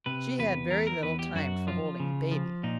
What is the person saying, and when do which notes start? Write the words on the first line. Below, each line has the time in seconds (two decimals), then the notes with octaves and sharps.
She had very little time for holding a baby.
0.06 C3 B4
0.39 E2 B4
0.71 E3 A#4
0.87 A#4
1.03 E2 B4
1.19 G4
1.35 F#2 F#4
1.67 F3 F4
2.00 C#3
2.31 F3
2.63 A#2 D#4